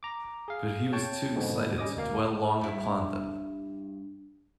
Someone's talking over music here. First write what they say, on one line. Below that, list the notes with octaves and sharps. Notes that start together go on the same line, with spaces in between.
But he was too excited to dwell long upon them.
A#5 D6
G#4 F5
C#5 G5 A5 C#6
G#2 B2 D3
G3 C#4 D#5 D6 D#6
D2 A#3 F5
G2 E4